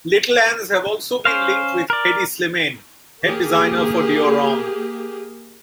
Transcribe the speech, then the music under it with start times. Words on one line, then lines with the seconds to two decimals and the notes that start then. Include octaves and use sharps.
Littl'ans have also been linked with Hedi Slimane, head designer for Dior Homme.
1.25 C#4 C5 F5
1.90 A#4 D5
3.23 A#3 G4 G#4